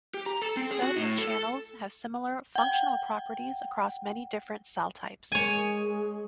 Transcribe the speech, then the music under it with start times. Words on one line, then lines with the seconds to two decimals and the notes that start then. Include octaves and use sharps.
Sodium channels have similar functional properties across many different cell types.
0.14 G4
0.26 A#5
0.42 A4
0.57 C4
0.71 G#4
0.83 F#4
0.98 A2
1.18 A4
2.55 F#5 G5
5.32 G#3 C#5 G#5